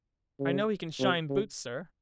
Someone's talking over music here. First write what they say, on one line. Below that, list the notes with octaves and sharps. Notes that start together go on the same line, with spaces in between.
"I know he can shine boots, sir."
C#3
C3
C#3